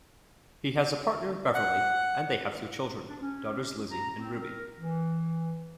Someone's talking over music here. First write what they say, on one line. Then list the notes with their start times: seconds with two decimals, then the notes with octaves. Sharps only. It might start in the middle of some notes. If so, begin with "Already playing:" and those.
He has a partner Beverly, and they have two children, daughters Lizzie and Ruby.
1.54 F#5
3.08 D4
3.21 C#4
3.91 A#5
4.19 C4
4.42 A#4
4.78 E3